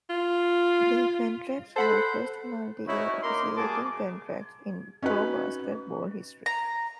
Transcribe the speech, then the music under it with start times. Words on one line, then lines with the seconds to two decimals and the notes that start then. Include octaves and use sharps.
Their contracts were the first multi-year officiating contracts in pro basketball history.
0.10 F4
1.76 A4 C5 F#5 B5
2.87 C#4 D#4 E4 F#4 C#5
3.23 A#3 D#4 A#4 B5 C6 D6
3.56 G3 A#3 F#4 G#4 A5 D6
5.03 C#4 D#4 F#4 B4
6.46 A#5